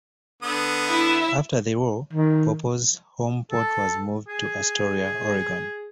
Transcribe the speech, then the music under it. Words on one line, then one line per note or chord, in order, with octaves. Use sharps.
After the war "Papaw's" home port was moved to Astoria, Oregon.
D3 B3 D#6
E4 E5
D#3
A4
G#4